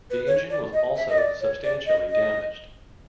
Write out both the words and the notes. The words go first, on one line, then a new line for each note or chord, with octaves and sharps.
The engine was also substantially damaged.
B4
C#5
D5
D#5
E5
D#5
D5
C#5
D5
D#5
D#5